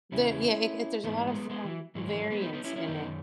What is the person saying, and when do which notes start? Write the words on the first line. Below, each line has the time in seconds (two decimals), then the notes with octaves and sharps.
There yeah, it it there's a lot of, um, variance in it,
0.12 E2 C#3 C#4 E4
1.04 G#2 E3 B3 D#4
1.27 G#3 B3
1.50 G#3 B3
1.65 E3
1.95 G#2 E3 F#3
2.07 E3 G#3
2.19 F#3 A3
2.30 G#3 B3
2.41 B3 D#4
2.53 B3 D#4
2.64 C#4 E4
2.76 C#4 E4
2.87 F#2 D#3 B3 D#4